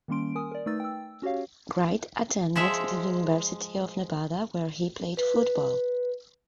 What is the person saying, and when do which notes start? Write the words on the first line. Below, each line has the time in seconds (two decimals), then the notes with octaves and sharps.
Wright attended the University of Nevada where he played football.
0.08 D#3 G3 A#3 C#4 C6 D7
0.35 A#4 G#5 D#6
0.52 A#4 D5
0.66 A3 D#4 B4 E6 A6
0.80 G5 E6
1.22 C#4 F#4 G4 C#5 F5
2.56 F3 G#3 E5
5.17 B4